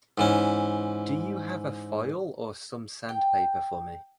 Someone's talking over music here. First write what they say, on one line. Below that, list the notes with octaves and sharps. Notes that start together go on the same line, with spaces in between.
Do you have a file or some sandpaper for me?
G#2 E3 C#4
G5